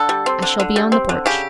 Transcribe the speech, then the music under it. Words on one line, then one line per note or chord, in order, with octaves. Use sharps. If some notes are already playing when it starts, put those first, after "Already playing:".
I shall be on the porch.'
Already playing: D3 A4
G3
C4
D3
D3
G3
C4
D3
C#3 G4